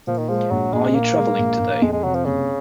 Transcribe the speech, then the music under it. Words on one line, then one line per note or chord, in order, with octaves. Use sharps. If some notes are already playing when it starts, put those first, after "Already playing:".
Are you travelling today?
A#2 F3
D#3
F3 G#3
A#1 F#3
A#1 G#3
A#2 A#3
G#3
A#1
A#1
F2 G#3
G#3
C3 F#3
F3
F#1 C#3